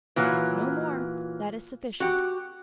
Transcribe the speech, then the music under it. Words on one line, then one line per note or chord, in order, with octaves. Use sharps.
'No more; that is sufficient.
A#2 E3 F#3
F#4 G4